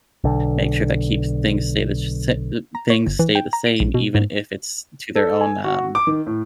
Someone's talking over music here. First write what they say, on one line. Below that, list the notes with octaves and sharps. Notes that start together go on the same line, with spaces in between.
make sure that keeps things stay the sh sa the things stay the same, even if it's to their own, um,
B1 D3
A#5
C#5
G1
E3
G5
A#5
D7
A#1
B2
G#2
A4
G#5
F#4
D6
D#3
A2